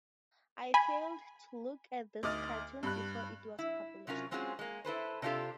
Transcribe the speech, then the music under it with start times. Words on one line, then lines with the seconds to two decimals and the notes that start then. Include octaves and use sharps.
I failed to look at this cartoon before it was published.
0.74 G#5 B5
2.23 D2 D#4 D6 D#6 F6 A6
2.83 G2 G3 B5 F#6
3.59 E4
4.07 C3 F#3 C#4 F4 A#4
4.31 G#3 C4 C#4 F4 F#4 G#4
4.59 G#3 A#3
4.85 E4 A4 B4 C5
5.22 C3 D4 D#4 F4 G4 A4